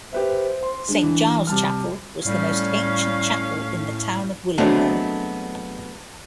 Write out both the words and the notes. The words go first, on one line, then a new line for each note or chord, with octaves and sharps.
Saint Giles' Chapel was the most ancient chapel in the town of Willenhall.
G4 B4 C5 E5
C6
G#3 D4
E3
C3 G3 A5 F6
A2 G3 C#4 F5
F#3 G#3 A3 B3 C4 D4